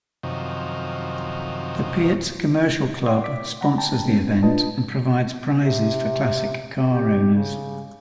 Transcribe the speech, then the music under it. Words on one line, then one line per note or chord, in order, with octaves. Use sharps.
The Pierz Commercial Club sponsors the event and provides prizes for classic car owners.
F#2 C3 D#3 F3
C#5 D5 F#5 G5 C6 D6
D5 D6 B6
F#5 A#5 B5
G5 A5 A#5
G#3 B3 C#4
D4 F4 B4 D#5 A5
C3
G4
C#3